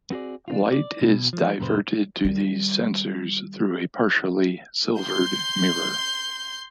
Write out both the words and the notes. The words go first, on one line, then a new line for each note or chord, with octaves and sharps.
Light is diverted to these sensors through a partially silvered mirror.
B3 C4 F#4 G#4 D5
D4 D#4 F4
C#5 D5
B2
F3 A3
F#2 A#2 C#3 G4 B4 C5
D#3 G3
C6 G6